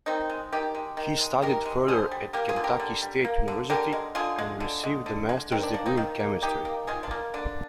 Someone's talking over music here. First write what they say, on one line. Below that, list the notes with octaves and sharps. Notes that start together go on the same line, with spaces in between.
He studied further at Kentucky State University and received a Master's degree in Chemistry.
D#3 C4 D#4
G#3
D#3 D#4 G4
G#3
D#3
G#3
D#3 G4 A#4
G#3
D3 G#4 C5
G3
A#3 G4 A#4
F4 G#4
D3
G4 A#4
D3
G3
A#3
D3
D3 G4 A#4
G#3
D3 F4 G#4
G#3
D3
G#3
D3
G#3
D#3 C4
D4
A#3 D4
C4 D#4
D#3
A#3
D#3 D#4 G4
A#3
D#3 F4 G#4
D4 F4
A#3
D3 D4